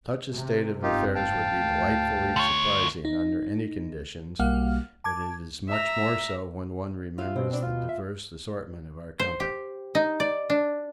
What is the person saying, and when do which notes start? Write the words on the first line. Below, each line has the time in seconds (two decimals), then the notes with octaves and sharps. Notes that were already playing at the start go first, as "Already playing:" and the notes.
Such a state of affairs would be delightfully surprising under any conditions, but it is much more so when one remembers the diverse assortment of our company.
0.35 C3
0.83 F#1 G#2 C4 D#4 F4 G4
1.15 F5 G5 A5
1.54 D2 G#2
2.36 D3 C#5
3.05 D#4
4.39 B1 G3 A#3 F5 F#5 F6
5.04 A5 D6 G#6
5.68 E5 A#5
7.18 F4 E5 F5
7.36 B2 C4
7.50 C4 D4
7.62 F4
7.89 E5
9.20 C5
9.40 G4
9.95 D#4
10.20 D5
10.50 D4